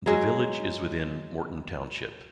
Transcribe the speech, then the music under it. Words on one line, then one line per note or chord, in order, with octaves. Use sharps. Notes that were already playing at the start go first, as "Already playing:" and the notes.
The village is within Morton Township.
F#3 G#3